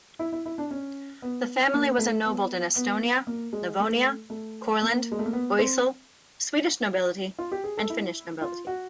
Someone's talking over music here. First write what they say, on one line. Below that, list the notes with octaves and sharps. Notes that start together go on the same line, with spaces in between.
The family was ennobled in Estonia, Livonia, Courland, Oesel, Swedish Nobility and Finnish Nobility.
E4
E4
E4
D4
C#4
B3
A#3
A3
B3
B3
A#3
G#3
A3
A3
A#3
G#3
A3
A#3
B3
C4
F4
G4
G#4
A4
E4
F4
F#4